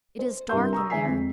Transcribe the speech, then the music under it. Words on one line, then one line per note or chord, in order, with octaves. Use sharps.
It is dark in there.
C5
C2 G2 A#4 E5 C6 G6
A#5 C#6 D#6 E6
D3 G#3 E5 G#5 B6 C7
F2 G#3